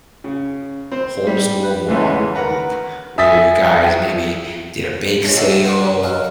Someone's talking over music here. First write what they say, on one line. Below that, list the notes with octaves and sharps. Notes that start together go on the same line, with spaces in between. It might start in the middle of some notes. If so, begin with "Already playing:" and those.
homeschool-mom group where you guys maybe did a bake sale,
C#3
C4 C5
G3
B4
G#2 C#3 E3 G#3 A3 C#4
A#4 B4 F#5 A#5
E5 G#5 D#6 A6 B6
A#2 G#3 D4 C#5 B5
C#4 D#4 E4 F#4 G4 A4
E5
B4 C5 F#5 G5
F#4
A4 C#5 D#5 F5 F#5